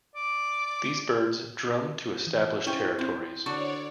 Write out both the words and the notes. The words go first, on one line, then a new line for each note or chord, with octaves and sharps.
These birds drum to establish territories.
D5
E3
C#4 E4 C5 G5
C4
D3 D4 F#4 C#5 D5